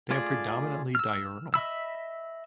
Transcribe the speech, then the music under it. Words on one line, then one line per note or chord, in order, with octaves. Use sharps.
They are predominantly diurnal.
A3 F4 G#4 D5
E6 F6
D#5 E5 B5 E6